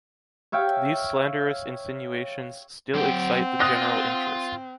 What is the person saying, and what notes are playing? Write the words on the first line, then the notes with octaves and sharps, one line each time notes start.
These slanderous insinuations still excite the general interest.
C#5 E5 F5 G5
F#3 C4 F#5 G5
F4 D#6 F#6 A#6